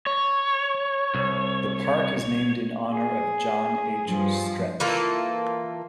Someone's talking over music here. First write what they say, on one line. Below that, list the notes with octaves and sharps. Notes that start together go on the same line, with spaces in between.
The park is named in honor of John H. Stretch.
C#5
C2
G#4
G2 F3
E3 A#3 F4 A4